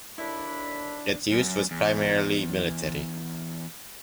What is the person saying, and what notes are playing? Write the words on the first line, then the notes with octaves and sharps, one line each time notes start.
Its use was primarily military.
D#2 D4 E4 A4 B5
F#2
E2